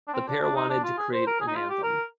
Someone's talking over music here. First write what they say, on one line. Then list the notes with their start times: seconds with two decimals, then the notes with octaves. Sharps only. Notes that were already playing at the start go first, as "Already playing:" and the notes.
The pair wanted to create an anthem.
0.08 D4
0.13 C4
0.28 D4
0.41 D4
0.56 D#4
0.69 D4
0.84 F4
0.98 G#4
1.13 C5
1.27 A#4
1.41 G#4
1.48 D#4
1.55 F4
1.70 G4
1.83 A#4